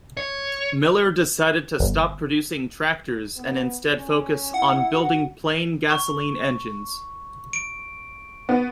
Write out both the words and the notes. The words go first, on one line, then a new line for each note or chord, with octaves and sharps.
Miller decided to stop producing tractors and instead focus on building plain gasoline engines.
C#5
G1
B3
C#4
E4 F#5
F#4
C#6
D7
B3